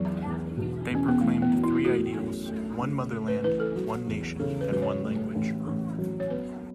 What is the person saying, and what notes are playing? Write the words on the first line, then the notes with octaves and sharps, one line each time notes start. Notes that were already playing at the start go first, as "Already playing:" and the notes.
They proclaimed three ideals, one motherland, one nation and one language.
Already playing: E2 F#3
E2
B2
E2
C#4
B3
E3 A3
B3
F#2
E4
E4
A3 F#4
F#2
A3
C#3
A3
B4
E3 B4
A4
F#3 F#4
E2
C#3 A4
B4
F#3 B4
C#5
A2
A1
A1
F#3
C#5
B3 B4